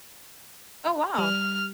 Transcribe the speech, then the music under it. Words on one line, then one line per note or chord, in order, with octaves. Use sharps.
Oh, wow.
G3 F6